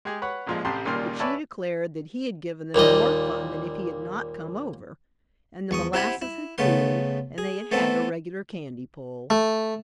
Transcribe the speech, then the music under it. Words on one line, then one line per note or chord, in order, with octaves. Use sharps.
But she declared that he had given them more fun than if he had not come over, and the molasses had cooled and they had had a regular candy pull.
G#3 G4 G#4
B4 C#5 F#5
A1 A#2 F3 G#3
A1 C3 G4 A5 C6
C#2 A#2 D#3 G3 C6 F6
B4 C#5 D5 E5 G#5 A5
D#2 A#2 G3 D#5
E2 C#6 D#6
C4 E4 G4 F#5 G#5 B5
E4
C#3 A3 B3 C6
G#4
A3 B3 C4 A4
A3